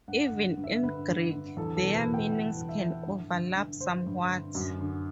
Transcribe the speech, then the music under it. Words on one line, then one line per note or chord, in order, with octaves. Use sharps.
Even in Greek, their meanings can overlap somewhat.
G2 F#5
F#5
D3
G2
E5
D3 B4
G2
D3
E2 A4
A4
B2
B4
E2
G5
B2 F#5
E2
E5
B2
G2
D3
G2
D3 C5
G2
D3
F#2
D3